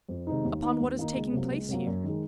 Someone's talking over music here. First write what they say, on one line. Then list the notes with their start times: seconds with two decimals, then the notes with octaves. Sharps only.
"Upon what is taking place here."
0.09 F2
0.27 C3 D#3 G#3 D#4
0.45 D#2
0.62 D#3 A#3 D#4
0.80 D#2
0.97 D#3 A#3 D#4
1.16 C#2
1.32 C3 F#3 A#3
1.51 C#2
1.69 C3 F#3 A#3
1.86 F#2
2.04 D#3 G#3